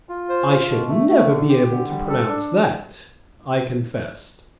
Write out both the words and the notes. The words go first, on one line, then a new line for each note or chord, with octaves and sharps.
"I should never be able to pronounce that," I confessed.
F4
C5
F4
B2
A3
A3
D3
G4
D3
G3
A4
D4